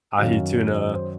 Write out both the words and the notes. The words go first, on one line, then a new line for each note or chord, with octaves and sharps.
ahi tuna,
F#2 D#3 F#3 F5
D#5
C5